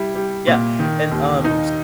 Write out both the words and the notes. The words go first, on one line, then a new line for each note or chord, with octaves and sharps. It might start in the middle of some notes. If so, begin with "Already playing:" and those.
Yeah, and, um, s
Already playing: G3 E4
G3
A#2
D#3
D#2
D#4